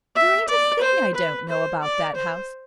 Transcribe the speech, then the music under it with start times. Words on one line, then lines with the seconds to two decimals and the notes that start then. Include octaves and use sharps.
There ain't a thing I don't know about that house.
0.15 E5
0.49 D5
0.82 C5
1.15 B4
1.49 C5
1.83 D5
2.16 C5